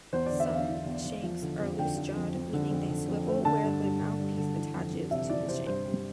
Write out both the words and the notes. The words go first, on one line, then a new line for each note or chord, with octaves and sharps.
Some shanks are loose-jawed, meaning they swivel where the mouthpiece attaches to the shank.
E2 C5
D5
D3
E5
E2
F5
E2
E2
E2
F3
D3
F2
D3 G5
F3
F2
F2
D3
F2
D3
F2
A3
D3 A5
G2
G2
D3
G2
D3
E3
F2
F2
C3 E5
E3 D5
C3 C5
G2 C5
G3